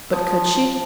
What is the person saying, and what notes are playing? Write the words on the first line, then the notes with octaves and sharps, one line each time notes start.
But could she?
F3 D#6